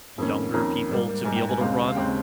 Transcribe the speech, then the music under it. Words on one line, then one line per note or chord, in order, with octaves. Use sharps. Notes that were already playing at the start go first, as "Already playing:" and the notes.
Younger people to be able to run,
F2 D#3 A#3 C#4
F2 D#3 A#3 C#4 A#5
G#2 G3 A#3
G#2 G3 A#3 G#5
G5
G#5
D#2 C#3 G#3 C4 F5
F5
D#2 C#3 G#3 C4 G5